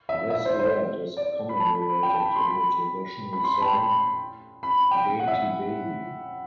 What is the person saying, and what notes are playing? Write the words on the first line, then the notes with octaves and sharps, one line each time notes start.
This event is commemorated in the traditional song "Dainty Davie".
E5
E5
C5
C5
D5
B5
A5
B5
B5
G5
A5
B5
C6
B5
B5
C6
B5
A5
G5
B5
B5
G5
F#5
E5